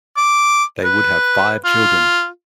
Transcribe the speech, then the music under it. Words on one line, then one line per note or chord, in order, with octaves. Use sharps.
They would have five children.
D6
B4
F4